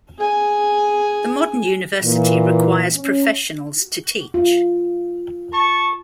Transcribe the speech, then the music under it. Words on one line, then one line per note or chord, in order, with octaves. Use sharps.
The modern university requires professionals to teach.
G#4 G#5
A#2 E3
C#4
F4
A5 C#6